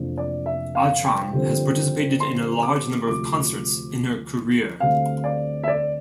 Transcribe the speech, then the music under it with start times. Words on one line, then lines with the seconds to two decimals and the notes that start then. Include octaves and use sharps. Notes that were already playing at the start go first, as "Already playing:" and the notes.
Ajram has participated in a large number of concerts in her career.
Already playing: F1 F2 E3 A#3 D4
0.18 D5
0.46 E5
0.75 F5
1.05 G5
1.33 G2 D3 F3 C4
2.20 C6
2.63 D6
3.07 D2 C3 F3 D6
4.80 D2 D3 G3 C4 F5
5.24 D5
5.63 E5
5.68 D5